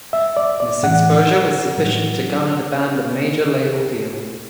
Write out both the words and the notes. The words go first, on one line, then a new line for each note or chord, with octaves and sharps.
This exposure was sufficient to garner the band a major label deal.
E5
D5
D5
A2 E3 F#5
A2 F#3